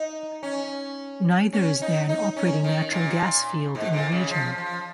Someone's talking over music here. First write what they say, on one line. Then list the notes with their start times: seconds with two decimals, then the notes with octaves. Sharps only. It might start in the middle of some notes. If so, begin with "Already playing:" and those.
Neither is there an operating natural gas field in the region.
Already playing: D#4
0.43 C#4
1.53 C#4
1.82 D#4
2.09 D#4
2.36 C#4
2.64 D#3
2.92 A#2
3.75 G#2
3.93 A#2
4.12 C#3
4.30 F3
4.58 F3